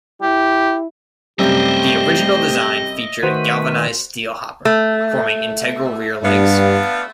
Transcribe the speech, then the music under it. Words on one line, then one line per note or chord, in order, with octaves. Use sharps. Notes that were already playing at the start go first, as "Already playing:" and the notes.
The original design featured a galvanised steel hopper, forming integral rear legs.
E4 G4
F#2 C3 G3 A3 G4 C5 D#5 E5
D#3 A3 F#4 B4 C5
A3
G2 B3 D4 F5